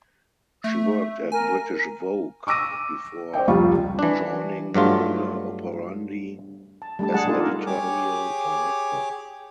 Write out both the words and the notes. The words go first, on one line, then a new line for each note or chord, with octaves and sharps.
She worked at "British Vogue" before joining Moda Operandi as editorial director.
A3 E5
A#4 G#5
C#6 D6 E6 A#6 D#7
C5 D5 D#5 G5
F1 C#2 G3 F4 C#6
E3 D4
G2 F#3 A3 F4
A5
G3 A3 D4 A5
G#3 G#4 F#5 A5
G3 A#3 D4 D#4 F4 A4
A#4
G4 G#4 C#5 D6